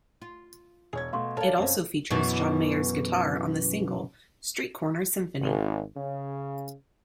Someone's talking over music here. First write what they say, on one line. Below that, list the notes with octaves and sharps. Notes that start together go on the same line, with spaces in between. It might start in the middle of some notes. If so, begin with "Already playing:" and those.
It also features John Mayer's guitar on the single "Streetcorner Symphony".
F4
E1 G#4 C#5 G#6
B2 A3 F5 C6 C#6
A4 A#4 C#5 D5 F5 A5
F#2 C3 C4 C#4
F#2 B2 E3
G#1
C#3